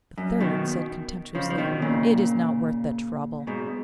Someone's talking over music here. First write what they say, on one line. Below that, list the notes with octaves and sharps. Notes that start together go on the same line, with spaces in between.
But the third said contemptuously, 'It is not worth the trouble!
F#2
B2 D#3
C#3 F3
F3
B2 D#3
A#2 C#3
G#2 B2